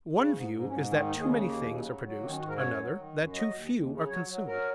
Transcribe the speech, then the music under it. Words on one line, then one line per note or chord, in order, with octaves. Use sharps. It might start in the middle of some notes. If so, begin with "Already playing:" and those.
One view is that too many things are produced, another that too few are consumed.
C#3
G#2
G#2
G#2 C#4
D#3 C#4
D#2 D#4
G#4
C#3
G#3
D#2 A#3
C#3
F#3
F#3
D#3 A#3
C#4
G#2 F#4
A#4
F#2 C#5
F#3
D#3
F#2
F#3 D#5
D#2
D#2
C#3
F#3 C#5
F#3
F#3 A#4